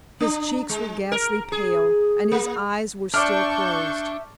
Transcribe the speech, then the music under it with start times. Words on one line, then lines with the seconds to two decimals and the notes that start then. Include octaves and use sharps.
His cheeks were ghastly pale, and his eyes were still closed.
0.20 D4
0.69 G#3
1.12 A#4
1.52 G#4
2.31 A#3
3.14 D4 D5 E5 A5 C#6 D6 F6 G6